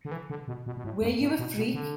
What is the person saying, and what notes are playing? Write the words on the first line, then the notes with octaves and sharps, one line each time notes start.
Were you a freak?
D3
E3
D3
B2
B2
B2
A2
F#2
A2
B2
B2
D3